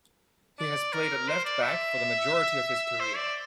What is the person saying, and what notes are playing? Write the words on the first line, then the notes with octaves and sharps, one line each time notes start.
He has played at left back for the majority of his career.
D5
A#4
C5
D5
E5
C5
D5